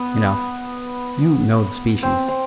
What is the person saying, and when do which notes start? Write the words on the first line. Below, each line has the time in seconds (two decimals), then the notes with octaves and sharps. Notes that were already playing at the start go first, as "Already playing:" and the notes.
Enough, you know the species.
Already playing: B3
2.03 C4
2.28 C4